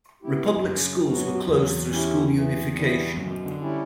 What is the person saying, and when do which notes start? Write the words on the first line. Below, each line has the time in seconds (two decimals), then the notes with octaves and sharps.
Republic schools were closed through school unification.
0.22 B3 E4 G4
0.57 G2
0.64 F#2 C#3
1.06 F#3 B3 F#4
1.48 E2 F#3
1.90 C#4 E4 G4
2.33 E3
2.75 G3 B3 E4
3.17 F#2 B2
3.45 D3
3.60 G3 C#4 E4 G4